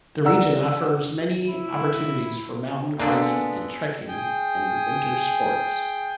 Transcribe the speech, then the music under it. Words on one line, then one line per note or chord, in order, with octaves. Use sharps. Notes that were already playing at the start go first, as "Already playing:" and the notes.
The region offers many opportunities for mountain climbing and trekking and winter sports.
D5 F#5 A#5 E6
E4
D3 G#3 A#3 B3 D4 A5 E6
G#4 G5